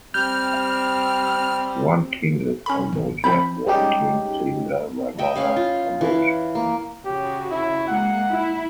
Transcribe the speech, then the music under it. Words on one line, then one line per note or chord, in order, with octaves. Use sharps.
One king of Kamboja was King Srindra Varmana Kamboj.
G3 C4 F6 G6
C#4 B5
G#1
F3 C4 B5 G6
G3 G#3 C#4 D#4 G4
D#5 E5 G5
C#4 F5 B5
F4
E3 F5
A#3
C#3 F#4 G4
E4
G#3 A#3 F#5
E4